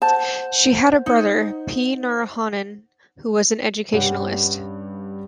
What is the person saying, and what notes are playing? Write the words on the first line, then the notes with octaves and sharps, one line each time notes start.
She had a brother P. Narayanan who was an educationalist.
C5 F#5 A5 G6
D#4
G2 C#4 G4 F#5